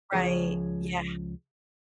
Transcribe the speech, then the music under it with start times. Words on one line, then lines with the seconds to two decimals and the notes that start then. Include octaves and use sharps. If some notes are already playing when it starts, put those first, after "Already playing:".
Right, yeah.
0.12 C#2 F3 G#4 C#5